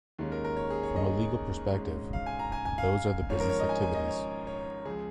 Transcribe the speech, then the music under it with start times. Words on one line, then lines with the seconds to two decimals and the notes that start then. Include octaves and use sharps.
From a legal perspective, those are the business activities.
0.19 D#2 D#3 G#3 C#4
0.32 A#4
0.44 A#4
0.57 C#5
0.70 G#4
0.83 C#5
0.96 D#5
1.74 G#1 G#2 G#3 C#4
2.13 F5
2.26 G#5
2.39 A#5
2.52 G#5
2.65 G#5
2.78 F5
3.29 G#1 G#2 F3 C#4 C#5
3.40 A#4
3.49 C#5
3.59 D#5
3.69 G#5
3.82 G#5
3.95 D#5
4.08 C#5
4.47 C#5
4.85 C#2 C#3 F3 G#4